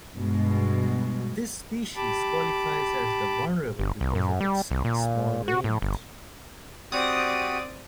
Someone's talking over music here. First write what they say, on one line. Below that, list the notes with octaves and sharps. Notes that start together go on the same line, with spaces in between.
This species qualifies as Vulnerable because of its small range.
G2 B2 G#3
G4 A5 B5 D6
G1
C2
F#2
G3
C2
A#2
F#4
A2
G1
C4 F#4 G4 D5 F#5 D#6